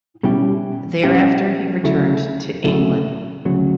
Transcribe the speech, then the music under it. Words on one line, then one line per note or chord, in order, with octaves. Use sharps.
Thereafter, he returned to England.
B2 G3 C#4 E4 G4
B2 G3 C#4 E4 G4
D2 C#3 F#3 A3 E4
D2 C#3 F#3 A3 E4
D2 C#3 F#3